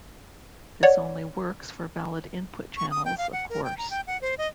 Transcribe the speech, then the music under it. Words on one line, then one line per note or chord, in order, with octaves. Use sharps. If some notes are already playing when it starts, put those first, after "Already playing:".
This only works for valid input channels, of course.
C#5 D5 F#5
C#6
D#6
G5
F5
F#5
A#4
G5
A#5
G5
F#5
C5
D#5